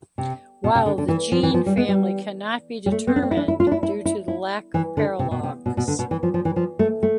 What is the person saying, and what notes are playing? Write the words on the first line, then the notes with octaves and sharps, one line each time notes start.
While the gene family cannot be determined due to the lack of paralogs.
C3
B2
C3
D3
D3
E3
F3
E3
F3
G3
B3
G3
G3
A3
B3
D4
C4
E4
D4
E4
F4
D4
E4
E4
E4
E4
E3
D3
C3
B2
C3
B2
B2
D3
B2
E3
F3
F3
E3
F3
A3
A3